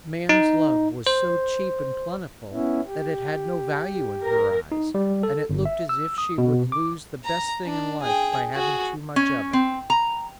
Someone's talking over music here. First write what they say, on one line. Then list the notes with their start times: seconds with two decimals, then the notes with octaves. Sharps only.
Man's love was so cheap and plentiful that it had no value in her eyes, and it looked as if she would lose the best thing in life by having too much of it.
0.29 D#4
1.07 C5
2.53 B3 C#4 E4
2.87 G4
4.24 A#4
4.72 D#4
4.95 G3
5.23 A4
5.50 G1
5.65 E5
5.89 E6
6.18 D#6
6.38 B2
6.72 D6
7.25 A#5
7.65 D4
8.02 G#4 G5
8.55 F#4 G#4
9.16 C#4
9.53 C4
9.90 A#5